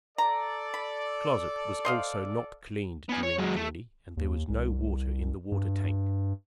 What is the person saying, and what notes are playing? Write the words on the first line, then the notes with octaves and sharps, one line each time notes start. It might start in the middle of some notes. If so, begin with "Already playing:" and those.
The closet was also not cleaned during the journey and there was no water in the water tank.
A4 D5 A#5
B5
C5 D#5 F5
B3 G#5
C#5
F#3 G#3
A3
D#2
C2
G2